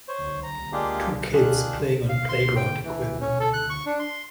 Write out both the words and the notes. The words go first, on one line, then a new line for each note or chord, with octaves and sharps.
Two kids playing on playground equipment.
C5 C#5
A#5
G#3 A#3 D4 F4 G4 G#4
D#3 D4 F4 G#4 F#6
F5
C6
G5
E3
C#4
A4
F#6
C#6
D4
C6